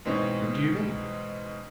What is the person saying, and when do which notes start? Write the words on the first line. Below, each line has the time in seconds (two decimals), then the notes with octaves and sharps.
"Whom do you mean?"
0.05 G#2 B2 E3 C4 C#4